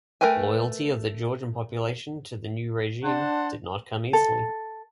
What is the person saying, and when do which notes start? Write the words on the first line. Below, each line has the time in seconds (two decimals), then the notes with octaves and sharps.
Loyalty of the Georgian population to the new regime did not come easily.
0.21 A3 A#4 B4 G5 G#5
3.03 D4 C5 F#5 A5
4.13 A4